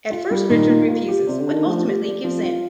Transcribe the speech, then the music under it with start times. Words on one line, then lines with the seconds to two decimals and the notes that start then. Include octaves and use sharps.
At first Richard refuses but ultimately gives in.
0.11 F4
0.31 G3
0.49 A#2 D#3
0.70 A#3
0.88 F4
1.08 G4
1.27 C3 D5
1.41 D3
1.47 D4
1.54 D#3
1.66 F3 A3
1.85 G4
2.05 D5
2.24 F3 C4
2.43 F4